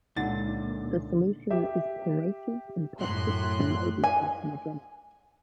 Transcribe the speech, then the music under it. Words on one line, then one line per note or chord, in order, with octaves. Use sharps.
The solution is corrosive and toxic, and may be carcinogenic.
C#2 A#2 D3 D#4 F#5 A6
G4 E5
F#2 A2 C6 F#6
G#5